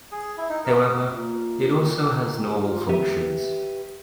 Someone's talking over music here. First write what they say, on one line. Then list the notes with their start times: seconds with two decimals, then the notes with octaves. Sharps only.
However, it also has normal functions.
0.12 G#4
0.38 E4
0.49 D#4
0.65 A#4
1.06 A#2 A#3 E5
2.00 D#3
2.22 G4 G#4
2.55 F4 A#5
2.89 G4 B4 E5